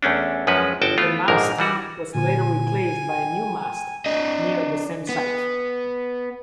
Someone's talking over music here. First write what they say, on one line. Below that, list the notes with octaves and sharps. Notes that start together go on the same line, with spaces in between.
The mast was later replaced by a new mast near the same site.
E2 A3 C#4 D4
F#2 F3 G#3 C#4 B4
G1 F#4 G5 A5
A3 B3 F4
A#1 G#2 D3 D#3 A#4
E3 G3 F#4
A#2 D3 G#5
G5
D4 D#5
B3